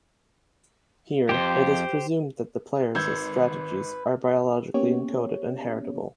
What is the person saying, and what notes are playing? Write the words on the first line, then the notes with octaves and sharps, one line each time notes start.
Here, it is presumed that the players' strategies are biologically encoded and heritable.
F2 G#2 G4 C5
G#1 B4 E6 G6 G#6
A#3 B3 C#4 G4 C#5